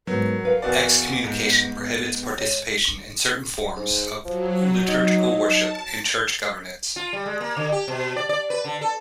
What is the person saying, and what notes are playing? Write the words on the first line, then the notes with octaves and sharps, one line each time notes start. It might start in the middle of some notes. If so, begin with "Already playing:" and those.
Excommunication prohibits participation in certain forms of liturgical worship and church governance.
G#2 F#3 B3 A#4
B4 F5 G5
E2 F#4 D5
G#2 B3
C#5
G#2
F3 F#3
D#4
A5
F4
G3
G#3
A#3
D3
G4
B2
D5
D5
B4
D3
A4